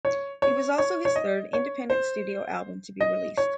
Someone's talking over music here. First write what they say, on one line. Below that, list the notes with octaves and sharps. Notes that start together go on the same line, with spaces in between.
It was also his third independent studio album to be released.
C#5
C#5
C#5
C#5
D#5
C#5
C5
D#5
C#5